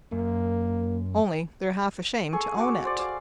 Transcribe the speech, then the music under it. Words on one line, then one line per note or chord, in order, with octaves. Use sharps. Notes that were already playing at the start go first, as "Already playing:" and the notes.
Only they're half ashamed to own it.
F#2 A#3
G#4 A4 C#6
F#4 C#6 D6
C5 D5
D5 F5